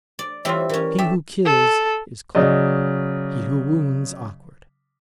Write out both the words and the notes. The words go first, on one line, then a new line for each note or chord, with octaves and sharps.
He who kills is clever, he who wounds awkward.
D5
E3 G3 C4 F4 C#5 E5
E3 C#4 A#4
G4 A4 E5
A4
C#3 F#3 D5 D#5